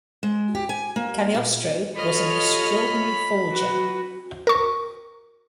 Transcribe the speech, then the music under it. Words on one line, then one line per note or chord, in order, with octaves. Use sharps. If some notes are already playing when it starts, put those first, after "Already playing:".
Cagliostro was an extraordinary forger.
G#3
G4
G#5
A#3
A#2
F4 A4 C#5 D#5 B5 F6
F#3 F#4 B4
A#4 C#6